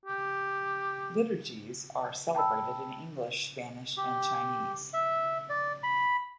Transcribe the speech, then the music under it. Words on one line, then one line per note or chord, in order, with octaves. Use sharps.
Liturgies are celebrated in English, Spanish, and Chinese.
G4
G5 A5 B5 E6
G4
E5
D5
B5